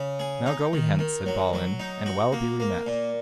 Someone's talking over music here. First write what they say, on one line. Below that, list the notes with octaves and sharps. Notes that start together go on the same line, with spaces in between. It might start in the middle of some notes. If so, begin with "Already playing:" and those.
Now go we hence, said Balin, and well be we met.
Already playing: C#3
G#4
D#4
D#3
D#3
F#3
F#3
D#4
F#4
A#3
A#3
A#2